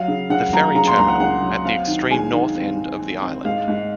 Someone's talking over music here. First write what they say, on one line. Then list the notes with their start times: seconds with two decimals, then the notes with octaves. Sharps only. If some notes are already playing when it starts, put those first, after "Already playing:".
The ferry terminal at the extreme north end of the island.
Already playing: F#3 F5
0.08 C#3
0.30 C#3 F#5
0.53 F#3 A#5
0.75 C#3 A#5
0.87 C6
0.97 C#2 A#5
1.09 F#5
1.20 C#3 F#5
1.42 F#3
1.65 C4 F5
1.87 D#3
2.10 G#3 G#5
2.33 D#3
2.55 C4
2.78 C4
2.99 C4
3.22 C4
3.45 G#2 F5
3.68 G#2